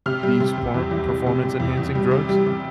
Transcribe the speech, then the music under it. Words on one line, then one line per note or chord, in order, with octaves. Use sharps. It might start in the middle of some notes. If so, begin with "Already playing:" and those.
these por performance-enhancing drugs?
C3 F6
G3
C3
C3
E2
E2
C3
C3
C3
E2
E2
G3
C3
G3
C3